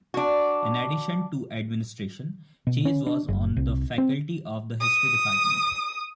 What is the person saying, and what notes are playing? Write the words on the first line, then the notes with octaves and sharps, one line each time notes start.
In addition to administration, Chase was on the faculty of the history department.
D4 F#4
B2
C#4
D4
F#1
C2
C4
D#6